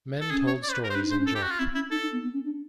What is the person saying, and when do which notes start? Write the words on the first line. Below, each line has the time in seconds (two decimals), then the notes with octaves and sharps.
Men told stories and joked.
0.21 A4
0.31 C#4 G#4
0.47 C#5
0.63 D5
0.69 C5
0.73 B4
0.84 A#4
0.90 C5
0.94 D4 B4
1.03 D#4
1.11 D4 C5
1.19 C#4
1.26 A4
1.35 G4
1.43 F#4
1.51 F4
1.59 C4 E4
1.75 C#4 E4
1.91 D#4 A4
2.02 D#4
2.12 B3
2.23 B3
2.33 C#4
2.44 D4